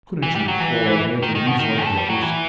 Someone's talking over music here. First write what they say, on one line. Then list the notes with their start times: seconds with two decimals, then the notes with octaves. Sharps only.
Couldn't you crawl on hands and knees like the others?
0.22 E3
0.35 G3
0.48 F#3
0.60 E3
1.22 D#3
1.35 D#3
1.47 B2
1.59 D#3
1.85 A3
1.97 G3
2.10 F#3
2.22 E3